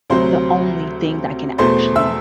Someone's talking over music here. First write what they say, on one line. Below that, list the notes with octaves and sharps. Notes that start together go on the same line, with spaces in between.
the only thing that can actually
D2 C3 F#3 C5 C6
E2 B2 A3 C5 C6
E5 E6